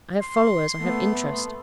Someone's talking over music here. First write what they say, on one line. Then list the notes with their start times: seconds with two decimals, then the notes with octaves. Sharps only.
I have followers,--I have interest.
0.21 C6
0.82 A3 B3